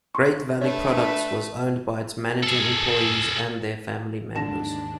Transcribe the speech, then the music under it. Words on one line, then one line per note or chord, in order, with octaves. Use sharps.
Great Valley Products was owned by its managing employees and their family members.
C6 C#6
A3 D4 B4 C#5 E5
G#4 A4
D#2 G#2 D3 D4 A5 A#6 E7